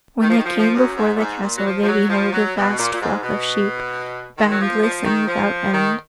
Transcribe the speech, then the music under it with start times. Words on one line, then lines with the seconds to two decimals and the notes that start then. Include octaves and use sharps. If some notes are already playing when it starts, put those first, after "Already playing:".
When they came before the castle they beheld a vast flock of sheep, boundless and without end.
0.21 D#3
0.28 F3
0.37 D#3
0.44 F3
0.59 F3
0.75 F#2
0.96 G#2
1.16 A#2
1.19 G#2
1.42 A#2
1.57 F#3
1.65 F3
1.83 F3
1.88 F#3
2.09 F3
2.33 F#3
2.56 B2
2.78 A#2
2.92 A#2
3.00 G#2
3.23 B2
4.37 D#3
4.50 F#3
4.60 F3
4.82 F3
5.04 D#3
5.27 F3
5.73 D#3